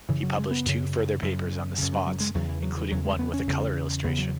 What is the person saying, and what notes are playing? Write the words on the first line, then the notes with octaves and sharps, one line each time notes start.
He published two further papers on the spots, including one with a colour illustration.
F#2 C#3 E3
F#3
G#3
B3
F#2 C#3
F#2 C#3
F#2 C#3
F#3
F#3
G#3
E2 C#3 F#3
E3
F#3
E3
E2 C#3 F#3
G#3
B3
C#4
E2 C#3
E2 C#3 B3
F#3